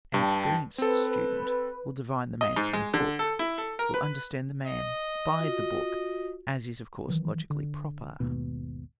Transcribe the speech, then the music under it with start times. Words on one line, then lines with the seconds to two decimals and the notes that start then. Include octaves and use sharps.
An experienced student will divine the man from the book, will understand the man by the book, as is, of course, logically proper.
0.14 G2 G5 A5
0.78 C4 A4 B4
2.41 D#5
2.56 G#2
2.73 G#3
2.94 D3
3.19 A4
3.39 E4
3.58 A4
3.79 A#4
3.94 B4
4.66 D#5
5.39 F4 F#4
7.08 D#3 E3 F#3
7.50 D3
8.20 G#1 D#2 B2